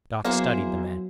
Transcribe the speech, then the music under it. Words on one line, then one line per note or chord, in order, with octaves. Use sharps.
Doc studied the man.
F#3 A#3 B3 E4 G#4 C5 F#5